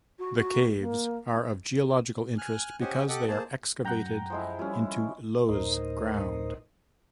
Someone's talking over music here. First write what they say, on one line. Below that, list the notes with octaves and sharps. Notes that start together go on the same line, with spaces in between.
The Caves are of geological interest because they are excavated into loess ground.
F#4
F#4
A#3
G#5 F6 F#6
C#4 G4 C5 D#5 F#5 G#5
G4 A4 D#5 F#5 D6 F#6
A#3 G#4 C5 A5
F#2 F#5 G5 A#5 G6
F3 G#3 E4
F3 G3 C#4 E4
D2 A2 D#4 A#4 C5 D#5